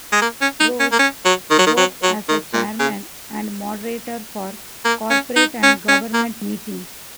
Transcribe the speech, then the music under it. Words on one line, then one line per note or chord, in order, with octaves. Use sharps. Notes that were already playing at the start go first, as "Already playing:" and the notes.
Ross works as a chairman and moderator for corporate and government meetings.
G#3
A#3
C#4
D#4
C#4
A#3
C#4
F#3
D#3
F#3
D#3
F#3
F#3
D#3
A#2
C#3
A#3
C#4
D#4
C#4
C#4
A#3